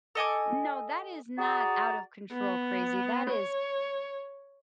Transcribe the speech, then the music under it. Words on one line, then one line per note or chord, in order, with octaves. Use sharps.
No, that is not out of control crazy, that is
A4 D#5 G#5 D6
F#4 G#4 D5 A#5
B3
C#5